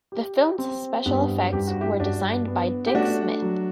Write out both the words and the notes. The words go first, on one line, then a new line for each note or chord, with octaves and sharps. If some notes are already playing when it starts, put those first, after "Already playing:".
The film's special effects were designed by Dick Smith.
G4
C4
G2 G3 B3
G2 G4
F#4
E4 G4
G2 D4 F#4
B3
G4
A3 D4 F#4
F#3